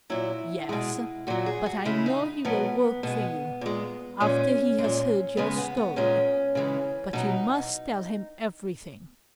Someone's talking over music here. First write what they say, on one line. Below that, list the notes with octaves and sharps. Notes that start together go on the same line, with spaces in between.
"Yes, but I know he will work for you--after he has heard your story. But you must tell him everything."
A#2 F#3 E4
B2 G#3
A#2 F#3 F#4
G#4
F#4
C#3 G#3 E4
D#4
B2 F#3 B3
B2 G#3 B3
A#2 G#3
A#2 G#3 C#4
G#3
A#2
C#3 G#3 B3
B3
B3
A#2 G#3 C#4
C#3 E3 G#3
B2 F#3 D#4